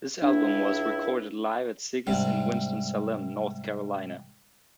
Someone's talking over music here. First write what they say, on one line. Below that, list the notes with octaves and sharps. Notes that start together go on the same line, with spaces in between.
This album was recorded live at Ziggy's in Winston-Salem, North Carolina.
C#2 D4 E4
G#2 C3 G3 D4